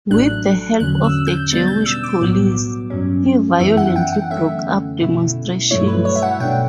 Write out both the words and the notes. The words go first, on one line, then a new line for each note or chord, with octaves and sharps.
With the help of the Jewish police, he violently broke up demonstrations.
A1 A2 F#3 A3 D4 F#6
E2 D3 F#3 C#4 F#6
E6
G6
B2 G3 B3 D4 A6
G6
E6
D6
B1 A2 F#3 B3
G2 F#3 C#4
F#2 E3 B3 E4 E5
F#5
G5
F#5
F#2 D3 A3 C#4 E5
B2 A3 E4
G2 F#3 A3 E4 C#5
B4
C#5
E5
F#5
B2 A3 D4 G5